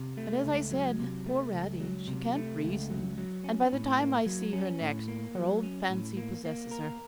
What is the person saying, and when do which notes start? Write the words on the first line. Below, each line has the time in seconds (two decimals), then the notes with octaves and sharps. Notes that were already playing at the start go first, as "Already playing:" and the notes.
But as I said, poor Radie, she can't reason; and by the time I see her next, her old fancy possesses her.
Already playing: C3
0.17 A3
0.44 C#2
0.71 F#3
0.99 C3
1.26 A3
1.54 C#2
1.80 F#3
2.08 C3
2.35 A3
2.63 C#2
2.90 F#3
3.18 F#3
3.44 C#4
3.72 A2
3.99 A#3
4.26 F#3
4.53 C#4
4.81 A2
5.08 A#3
5.35 F#3
5.63 C#4
5.89 A2
6.17 A#3
6.45 A#3
6.71 A#4